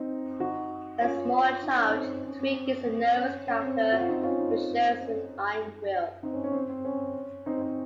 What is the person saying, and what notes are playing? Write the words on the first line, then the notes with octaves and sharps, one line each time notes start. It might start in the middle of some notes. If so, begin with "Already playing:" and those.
As a small child, Tweek is a nervous character, but shows an iron will.
Already playing: C4 D#4
D#4 F#4
C#4 F4
D#4
C#4
C4 D#4
C#4
C4
C#4
C#4
C4
F#4
F4
C4 D#4
C#4 F4
C4 D#4
C#4
C4 D#4
C#4
C#4
C4
C4
C#4
C4 D#4
C4